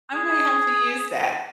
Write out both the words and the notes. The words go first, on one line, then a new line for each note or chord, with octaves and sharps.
I might have to use that.
G#4